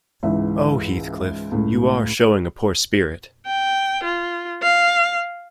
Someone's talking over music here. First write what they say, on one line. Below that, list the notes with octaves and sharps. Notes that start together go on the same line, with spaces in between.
Oh, Heathcliff, you are showing a poor spirit!
C#2 G#2 E3 E5
C#2 A2
G5
F4
F5